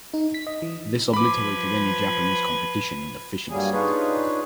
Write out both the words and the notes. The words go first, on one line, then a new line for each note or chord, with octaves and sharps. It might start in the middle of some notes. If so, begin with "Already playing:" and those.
This obliterated any Japanese competition in the fishing sector.
D#4
B6
D#5
E3
F3 B4 B5 D6 G#6
G2 F#3 G3 A#3 G#4 G#5
D4 D#4 F4 G#4 B4 C#5